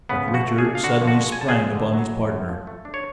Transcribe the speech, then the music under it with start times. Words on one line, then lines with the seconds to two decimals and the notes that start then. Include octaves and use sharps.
But Richard suddenly sprang upon his partner.
0.09 C#3 B3 B4
0.28 F3
0.34 F#4 F#5
0.46 A3
0.58 G#4 G#5
0.65 D4
0.75 F5
0.83 D3 F#4 F#5
1.02 F3
1.07 F#4 F#5
1.20 G#3
1.32 G#5
1.39 D3 A5
1.48 G#4 G#5
1.57 F2
1.75 D3
1.94 F#3
2.12 F2
2.30 F#2
2.49 F3
2.67 A3
2.85 D4
2.94 C#5